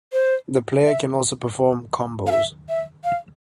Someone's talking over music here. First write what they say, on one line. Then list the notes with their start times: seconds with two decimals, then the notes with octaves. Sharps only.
The player can also perform "combos".
0.13 C5
0.86 E5
2.27 F5
2.31 E5
2.69 E5
3.04 F5